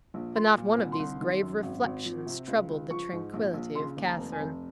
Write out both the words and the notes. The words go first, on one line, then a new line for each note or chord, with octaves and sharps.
But not one of these grave reflections troubled the tranquillity of Catherine.
A#1
F3 C6
A#2
C2
C6
C2
D#3
F#2
G#1
G#1
F3
C3
C#2
C#2
F3 C#6
G#2
A#1
A#1
C#3 C6
D#2
A#5
F1
G#5
F1